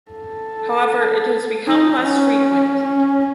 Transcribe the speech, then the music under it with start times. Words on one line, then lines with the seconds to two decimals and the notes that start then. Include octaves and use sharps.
However it has become less frequent.
0.11 A4
1.68 D#4
2.06 C#4
2.84 C#4